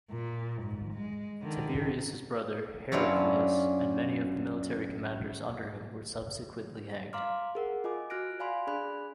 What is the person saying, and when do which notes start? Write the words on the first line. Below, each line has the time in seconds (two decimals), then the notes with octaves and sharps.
Tiberius's brother, Heraclius, and many of the military commanders under him were subsequently hanged.
0.11 A#2
0.62 G#2
0.93 G#3
1.43 D3 D#3
2.92 F#2 C#4 D4 E4 F4
7.13 F5 A#5 C6 D6 F6
7.55 G#4 A#4 F#5
7.84 F4 D#5 G#5 D6
8.10 F#4 F6 F#6 A#6 D7
8.40 D5 F5 G#5 B5 C6
8.67 D4 G#4 D5 B5 F#6